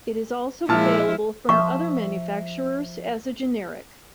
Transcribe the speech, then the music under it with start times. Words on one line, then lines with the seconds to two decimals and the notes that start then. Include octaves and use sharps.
It is also available from other manufacturers as a generic.
0.69 A#2 F3 G#3 E4 A5 F6
1.49 F3 E5 C#6